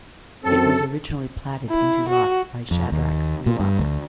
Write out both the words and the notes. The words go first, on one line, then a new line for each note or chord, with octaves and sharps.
It was originally platted into lots by Shadrach Ruark.
F#2 C4 A4
E4
F#4
F2
D#2
A#2
G2
D2